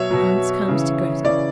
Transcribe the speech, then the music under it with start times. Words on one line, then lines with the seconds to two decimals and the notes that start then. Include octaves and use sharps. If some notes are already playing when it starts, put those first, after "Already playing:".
Hans comes to Grettel.
Already playing: B2 F#3 C#5 E5
0.11 B2 F#3
0.68 C#3 E3
1.25 C#3 E3 D5